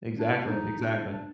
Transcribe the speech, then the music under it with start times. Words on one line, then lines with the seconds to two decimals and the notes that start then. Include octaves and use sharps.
Exactly, exactly.
0.18 D4
0.48 D#4
0.80 D4
1.11 D4